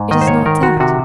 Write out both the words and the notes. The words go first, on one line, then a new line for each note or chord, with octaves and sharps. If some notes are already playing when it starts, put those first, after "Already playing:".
"It is not that."
Already playing: G#2
D#3 D#5
C5
C#5
D#3 A#4
F#4
C3 F#4